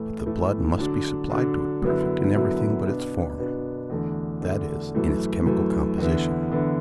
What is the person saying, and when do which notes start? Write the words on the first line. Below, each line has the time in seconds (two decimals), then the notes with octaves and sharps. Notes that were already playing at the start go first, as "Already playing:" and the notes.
But the blood must be supplied to it perfect in everything but its form--that is, in its chemical composition.
Already playing: A2 E3 A3
0.26 A2 E3 A3
0.78 D3 F#3 D4
1.30 D3 F#3 D4
1.82 F#2 D3 F#3 B3 E4
2.34 F#2 D3 F#3 B3 E4
2.86 B2 B3 D4
3.38 B2 B3 D4
3.90 E2 D3 A3 D4
4.42 E2 D3 A3 D4
4.95 F#2 E3 A3
5.46 F#2 E3 A3
5.98 E2 D3 B3 E4
6.50 E2 D3 B3 E4